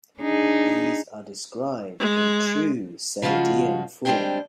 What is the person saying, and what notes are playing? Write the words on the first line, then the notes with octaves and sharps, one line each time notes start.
These are described in true Sadean form.
D4 D#4 G#4
G#3
C#3 F3 G#3 F4 F#4
G3 G#3 C4 D4 C5 G5